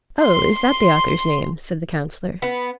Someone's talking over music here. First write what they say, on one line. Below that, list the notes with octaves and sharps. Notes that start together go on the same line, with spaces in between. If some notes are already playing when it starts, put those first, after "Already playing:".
"Oh, is that the author's name?" said the Councillor.
C6
B3